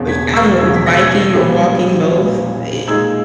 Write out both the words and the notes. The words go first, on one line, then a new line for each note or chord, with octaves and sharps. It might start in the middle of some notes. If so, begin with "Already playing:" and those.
I I don't know if it's biking or walking, both, it
Already playing: E1 E2 C#3
G#6 B6
C#6 E6
E1 E2 C#3 E6 G#6
B6
A#6
E6 G#6
A#1 A#2 G3 C#4
A#1 A#2 G3 C#4
A#2 G#3 D#4 E6 G#6